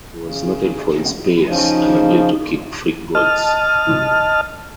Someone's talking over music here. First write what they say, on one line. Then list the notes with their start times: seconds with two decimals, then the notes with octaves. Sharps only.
He was noted for his pace and ability to kick freak goals.
0.23 C#3
1.46 C#3 F3 D#4
3.15 D#5 A5 F6